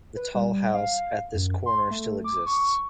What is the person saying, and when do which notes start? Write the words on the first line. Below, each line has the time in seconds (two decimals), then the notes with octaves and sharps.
The toll house at this corner still exists.
0.16 B4
0.35 G3
0.74 F5
1.34 F#2
1.66 C6
1.91 A3
2.24 D6
2.46 C#6